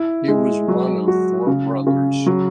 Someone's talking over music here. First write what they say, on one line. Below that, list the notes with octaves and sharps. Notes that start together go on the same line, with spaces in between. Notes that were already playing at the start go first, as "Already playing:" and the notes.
He was one of four brothers.
Already playing: E4
G#3
F#3
F#4
C#3
C#3
F#3